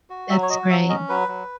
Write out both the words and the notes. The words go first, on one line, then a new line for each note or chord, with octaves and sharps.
That's great.
F#4
F#3 E5
C#5
F#4 D#5
F#3 E5
C#4 D#5
F#3 B4
F#3